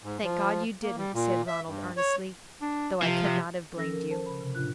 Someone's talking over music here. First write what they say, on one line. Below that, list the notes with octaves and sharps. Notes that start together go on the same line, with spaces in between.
"Thank God you didn't," said Ronald, earnestly, "though I could not have blamed you."
G#2
F3
A#3
G3
A#2
E5
G2
C#5
D4
C3 F3
C3
F3 C#4 A4 E6 A#6
A#4
A#4 C5 A5
C#3 B5
C3
A2 D4 F4 F#6